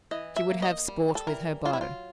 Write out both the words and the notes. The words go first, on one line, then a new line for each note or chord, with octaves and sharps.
She would have sport with her bow.
E3 D#5
E5
A#3
D#5
G3
A4
E3 A#4
F#3 F4
E4
F4